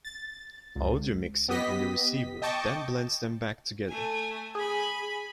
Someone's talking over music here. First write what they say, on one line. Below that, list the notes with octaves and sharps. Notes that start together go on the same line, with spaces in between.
Audio mixing in the receiver then blends them back together.
A6
C#2
B3 G4 D#5 B6
D#5 G5 A5 C#6 D6
A3 G#5
G#4 G#5 B5